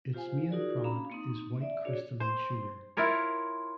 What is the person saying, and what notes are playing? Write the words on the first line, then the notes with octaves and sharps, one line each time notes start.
Its main product is white crystalline sugar.
F4 G4 C5 F5 G#5
D#4 F4 F#4 G#4 A#4 D5
C#4 D4 F5 A#5 B5
A#3 C4 D#4
D5 E5
D4 F#4 G#4 C#5 D5
C5
E4 F4 A#4 C#5